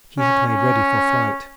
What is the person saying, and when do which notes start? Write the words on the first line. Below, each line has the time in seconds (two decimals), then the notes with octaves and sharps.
He had made ready for flight.
0.18 C#4
0.47 C#4